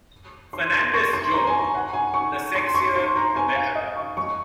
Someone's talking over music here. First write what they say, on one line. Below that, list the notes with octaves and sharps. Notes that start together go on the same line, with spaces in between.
Fernandes joked The sexier the better.
C6
C6
C#6
C6
A#5
G#5
A#5
F#5
G#5
C#6
C6
C#6
C6
A#5
G#5
F5
D#5
C#6
C#6